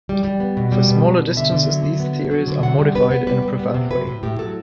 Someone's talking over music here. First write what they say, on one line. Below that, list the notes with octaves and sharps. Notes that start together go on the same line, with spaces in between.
For smaller distances these theories are modified in a profound way.
G3
G3
B3
B2
G3
B2
B2
B2
D3 E5
D3
F#3
D3
B3
F#3
F#3
D3
C3 F#5
G3
B3 B4
B3
G3 B4
G3
B3
C3
F#3 B4
A2
A2 G4
F#3 A4